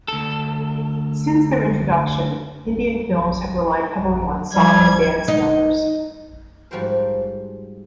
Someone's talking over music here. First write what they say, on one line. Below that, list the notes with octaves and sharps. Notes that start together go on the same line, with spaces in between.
Since their introduction, Indian films have relied heavily on song and dance numbers.
D2 A4
F3 G3 G#6
D#4
G#2 F3 G3 F#4 A#4 C5